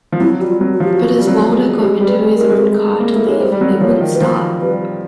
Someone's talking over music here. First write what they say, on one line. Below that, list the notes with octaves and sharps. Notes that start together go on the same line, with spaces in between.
But as Wilder got into his own car to leave, it wouldn't start.
F3
F#3 E4
G3 F#4
F4
F#3
F#4
F3 G4
F#4
G3
F#3
G#3
G#3 G4
G3
B4
G#3
A#4
G#3
A3
G#3
A#3
A3
G#3 C#5
G3 C5
G3
F#3
F#3
F3 C#5
D#3
B4
F3 C5
G3 B4